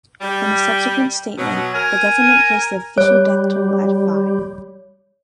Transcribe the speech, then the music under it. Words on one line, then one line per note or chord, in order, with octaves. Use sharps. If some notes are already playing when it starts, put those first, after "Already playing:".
In a subsequent statement, the government placed the official death toll at five.
G3
B2 F#3
A#4 G#5
G3 C#5